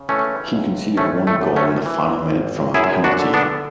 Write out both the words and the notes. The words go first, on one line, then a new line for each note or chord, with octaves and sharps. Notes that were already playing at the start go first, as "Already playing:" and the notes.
He conceded one goal in the final minute from a penalty.
Already playing: C#3
E3 A3 C#4
C#2
G#1 A3 C#4
A3
F#2
A3 C#4
E3
G#1
F#2 E4 G#4
D4 F#4
D3
B3 D4